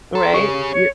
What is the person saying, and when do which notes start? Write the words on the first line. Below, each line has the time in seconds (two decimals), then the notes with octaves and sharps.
Right, y
0.15 A4 A#5 C6
0.34 G4 G#4 C#5 C#6
0.72 C#5